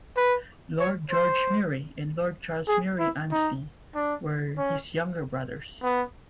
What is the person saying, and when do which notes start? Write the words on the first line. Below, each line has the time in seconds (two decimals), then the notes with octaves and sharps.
Lord George Murray and Lord Charles Murray-Aynsley were his younger brothers.
0.17 B4
0.79 C#5
1.11 C5
2.68 G#4
3.00 E4
3.32 D#4
3.95 D4
4.58 C#4
5.83 B3